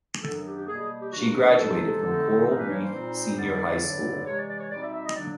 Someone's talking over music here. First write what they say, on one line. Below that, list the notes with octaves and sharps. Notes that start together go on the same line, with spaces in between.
She graduated from Coral Reef Senior High School.
F#2 D#3 F#3 B3 D4 A4
G4
G4
B2 G3 A#3 G#4
G#4
G4
C3 D#3 G3 A#3 D4 F#4
F#4
G4
G#4
C3 F3 G#3 B3 D#4 A4
D3 F3 A3 C4 D#4
G2 E3 G3 A#3 D#4
B4
C#5
C5
A#2 G3 C4 D#4
F2 D3 G3 B3 D#4 D5
G2 D3 F#3
C3 E3 G#3 C#5
D5
D5
C#5
B2 G3 C4 D#4 D5
E5
E5
D#5
D3 F#3 A#3 D4 D5